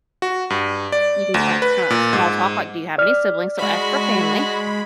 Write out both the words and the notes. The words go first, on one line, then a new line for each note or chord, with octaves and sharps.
You can, like, kinda small talk, like, "Do you have any siblings?" So, F for family.
F#4
G2
D5
D2
B4
A#2
G#2
D5 F6
G#3 F#4 B5